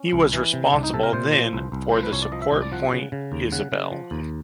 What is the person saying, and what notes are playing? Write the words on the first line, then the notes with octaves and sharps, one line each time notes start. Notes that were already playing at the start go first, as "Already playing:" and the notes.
He was responsible then for the support point "Isabelle".
Already playing: C#4
C2
E3
C3
C2 D4
D#4
C3 A4
A#4
A#2 C5
F3
C2
C2
F3 C5
B4
C2 C#5
D5
F3 D#5
E5
C2 D#5
D5
F3 F#5
C#3
C#3
D#2
C#3 F#5
C#3
F3
D#2